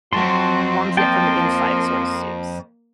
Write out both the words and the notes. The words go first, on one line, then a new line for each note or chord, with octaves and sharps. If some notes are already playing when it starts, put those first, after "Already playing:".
warms you up from the inside sort of soups.
F2 G#2 F#3 C4 F#4 A5 C6
F3 A#3 G5 A5